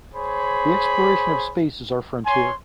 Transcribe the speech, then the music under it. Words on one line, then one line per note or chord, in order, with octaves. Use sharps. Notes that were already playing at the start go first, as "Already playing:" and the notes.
The exploration of space is our frontier.
G#4 C5 C#5 B5
C#5 G#5 C6